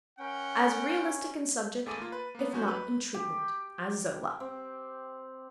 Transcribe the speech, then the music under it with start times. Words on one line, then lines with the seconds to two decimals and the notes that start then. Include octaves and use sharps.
"As realistic in subject, if not in treatment, as Zola."
0.19 C#4 A#4 F#5 G5
1.86 G#1 A3 G#4 D6 A6 D#7
1.98 A#3 F4
2.12 B4
2.35 A#3 B3
2.53 G#2 F#3 C#4 F#4 G6
2.68 B4
3.14 G4
4.40 C4